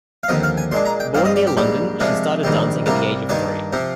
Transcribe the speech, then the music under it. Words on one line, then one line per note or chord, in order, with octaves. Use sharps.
Born near London, she started dancing at the age of three.
F5
D#2 D3 F3 C4 D#5
F5
G#5
A#2 G#3 D4 C6
A#5
G5
G2 F3 C4 F5
D#5
D5
G4
A#1 G#2 G3 G4
C2 C3 F3 G#3 D4
A#1 G#2 D#3 G3 C4
C2 C3 G3 A#3 F4
G2 D#3 A#3 D4 D5
C3 F3 C4